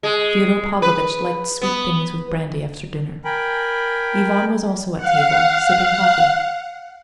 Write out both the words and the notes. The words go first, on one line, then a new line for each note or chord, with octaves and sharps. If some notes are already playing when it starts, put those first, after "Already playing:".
Fyodor Pavlovitch liked sweet things with brandy after dinner. Ivan was also at table, sipping coffee.
G#3
B4
B3
A#4 G5 G#5 B5
F5 F#5